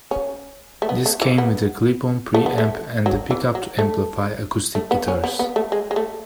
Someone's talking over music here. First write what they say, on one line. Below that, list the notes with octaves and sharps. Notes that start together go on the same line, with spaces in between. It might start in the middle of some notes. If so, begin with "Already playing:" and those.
This came with a clip-on pre-amp and a pickup to amplify acoustic guitars.
C#4
A3
B3
A3
E3
B3
A3
B3
A3
F#3
E3
F#3
A3
A3
B3
C#4
B3
B3
A3
G#3
G#3
A3